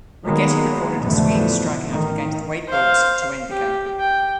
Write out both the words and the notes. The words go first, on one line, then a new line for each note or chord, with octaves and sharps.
Righetti recorded a swinging strikeout against Wade Boggs to end the game.
D#3 F#3 G#3 A#3 B3
F2 G#2 B2 D3 E3 A3
A1 D#3
C5 F5
G4
G5